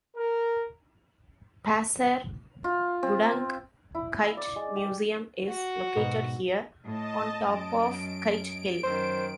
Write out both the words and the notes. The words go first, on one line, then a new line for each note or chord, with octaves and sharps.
Pasir Gudang Kite Museum is located here, on top of Kite Hill.
A#4
F4
C4
E4
F5
D5
G#3
G4
F#4
G#2 B2
A2 D#5 A5
F#2 D7
F#2 D#3 C5